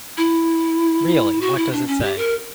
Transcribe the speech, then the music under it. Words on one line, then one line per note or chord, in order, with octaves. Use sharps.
Really, what does it say?
E4
F#4
E4
D4
C#4
G4
A#4